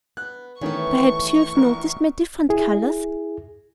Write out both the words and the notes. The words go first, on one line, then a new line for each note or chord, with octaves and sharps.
Perhaps you've noticed my different colors.
B3 F#6
D#3 E3 A3 B3 C#4 C#6
A#1 A#4
E4 G#4